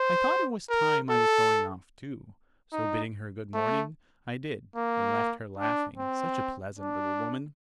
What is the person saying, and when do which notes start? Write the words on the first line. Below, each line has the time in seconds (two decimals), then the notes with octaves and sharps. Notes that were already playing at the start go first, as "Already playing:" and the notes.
I thought it was time I was going off too; so bidding her good morning, I did, and left her laughing--such a pleasant little woman!
Already playing: C5
0.70 A#4
1.10 A4
2.73 D#4
3.54 A3
4.76 A#3
5.57 D4
5.98 C4
6.79 D4